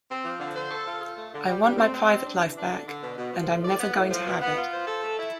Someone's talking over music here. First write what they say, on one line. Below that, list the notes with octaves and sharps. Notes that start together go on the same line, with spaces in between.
I want my private life back and I'm never going to have it.
C4
F3
D3
C5
A4
F4
A4
A3
D3
G3
G3
C4
C4
G3
D4
E3
D4
D3
D3
B2
B2
F3
A2
D5
B3
A2
F3
B2
B3
F4
C5
A4
A3
E4